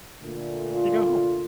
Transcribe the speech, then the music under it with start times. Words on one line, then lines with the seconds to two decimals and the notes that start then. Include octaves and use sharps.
you go home.
0.22 A#2 D3 A3
0.75 F4